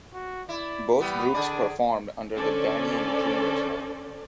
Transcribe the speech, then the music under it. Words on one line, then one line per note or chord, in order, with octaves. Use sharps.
Both groups performed under the "Danny and the Juniors" name.
F#4
E4 D5
E3 G3 B3
D3 D4 G#4 D5
D3 C#4 A4 C5 D5